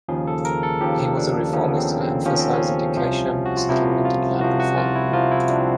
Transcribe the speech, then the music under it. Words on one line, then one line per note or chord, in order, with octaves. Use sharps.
He was a reformist who emphasized education, settlement, and land reform.
D#2 C#3 F3 G#4
A4
A#4
A4
D#2 C#3 F3 G4
D4
D#2 C#3 F3 C#4
B3
C4
C4
D#2 C#3 F3 C#4
C4
C#4
C2 C3 F3
F#4
F4
C2 C3 F3 E4
F4
C2 C3 F3 F#4
F#4
F4
E4
C2 C3 F3 F4
E4
D4
C4